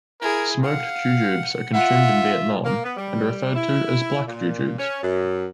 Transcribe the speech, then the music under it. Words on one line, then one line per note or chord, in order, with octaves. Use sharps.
Smoked jujubes are consumed in Vietnam and are referred to as black jujubes.
E4 G#4 A#4
F5 F#5
F4 E5 F#5
A#3
B3
G3
E4
A#2
C#4
F#2